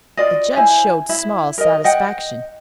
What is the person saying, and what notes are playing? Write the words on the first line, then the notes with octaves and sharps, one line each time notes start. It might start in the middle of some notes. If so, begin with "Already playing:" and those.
The judge showed small satisfaction.
F4 D5 D#5
E4 C5 G#5
E4
A#4 D#5
D#5 F#5 G5